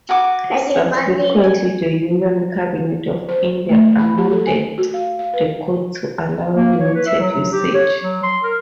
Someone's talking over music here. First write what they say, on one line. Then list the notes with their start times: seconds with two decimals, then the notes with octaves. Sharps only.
Subsequently, the Union Cabinet of India amended the code to allow limited usage.
0.09 F#4 G#5 D6
1.44 G#5
3.29 C5
3.69 A3
3.99 B5
4.18 G4
4.31 A4
4.47 G#5
4.78 F#4
4.94 F5
5.19 F5
5.33 B4
6.56 A#3
6.80 C#5
6.94 B4
7.06 E5
7.19 F#3
7.32 F#3
7.52 G4
7.75 C#5
8.01 F#3
8.23 C6
8.43 A#4